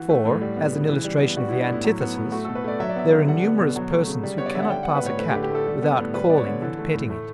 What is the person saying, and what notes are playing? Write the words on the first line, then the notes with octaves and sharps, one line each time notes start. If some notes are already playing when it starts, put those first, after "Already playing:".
For, as an illustration of the antithesis, there are numerous persons who cannot pass a cat without calling and petting it.
Already playing: E3 F#4
A3
A2
G3
B3
C#3
E3
G3
B3
G3 F#4
B3 E4
D4
A2 E4
F#3
B3
A2
A3 F#4
B2 A4
B4
A3 D5
F#3 E5
D5
B3 E5
D3
G3 F#5
B3
B2
F#3
A3
C#3
G3
B3 C#5
D5
D3 E5
F#5
G3 G5
B3 F#5
B4
A2 C#5
A3 B4
G4
D3
G4
A3 A4
G3
B3
A2
G3 B4
B3 D5
C#5
D3
E3 A4
A3
A2
A3